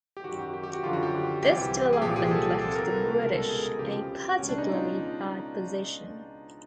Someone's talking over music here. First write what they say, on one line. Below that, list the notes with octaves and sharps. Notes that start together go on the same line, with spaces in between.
This development left the British in a particularly bad position.
G4
F#2 D#3 F#4
G4
G4
G4
F#4
F#2 D3 F3 F4
F#4
G4
C2 C3 E3 G4
G#4
C2 A#2 F3 G4
G#4
A4
C2 C3 F3 A4
A#4
B4
C#2 B2 A#4
A4
G#4
F2 C#3 F3 G4
C#2 B2 C#4
D4
D#4
F4